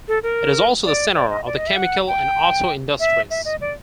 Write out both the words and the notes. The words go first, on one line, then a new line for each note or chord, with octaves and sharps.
It is also the center of the chemical and auto industries.
A4
A#4
D5
D5
D#5
D5
D#5
E5
F#5
G5
E5
E5
D#5
D5